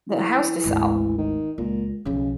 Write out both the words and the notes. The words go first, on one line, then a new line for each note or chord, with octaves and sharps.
the house to sell,
E3
G#1 D2
D#3
C#2 A#2
B1 C#3 F3